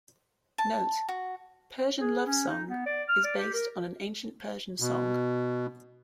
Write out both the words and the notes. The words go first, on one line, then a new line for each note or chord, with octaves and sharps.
Note: "Persian Love Song" is based on an ancient Persian song.
A5
F#4
G#4
C#4
D#4
B3
D5
F6
D5
G4
A#4
B2